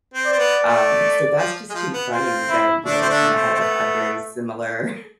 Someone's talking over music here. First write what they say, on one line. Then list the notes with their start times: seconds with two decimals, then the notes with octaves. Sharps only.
Um, so that's just too funny that, you know, we kinda had a a very similar
0.14 C4
0.26 D5
0.32 C4
0.38 B3
0.63 A3
1.37 F3
1.70 G#3
1.74 F3
1.93 B3
2.11 C4 F4
2.49 E4
2.85 D3 A3 D4
3.02 C4
3.09 D3 D4
3.35 C4
3.54 C4
3.59 B3